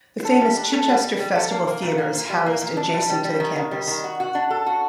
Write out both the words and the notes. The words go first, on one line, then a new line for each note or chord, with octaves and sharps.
The famous Chichester Festival Theatre is housed adjacent to the campus.
A4
G3
D4
A4
G3
G3
G3
A4
A#3
A#3
A#2
A#3
A#2
G3
A#3
A#2
D4
G3
G3
G3
D#3
D#3
G3
D#3
F#4
F#4
D4
A4
F#4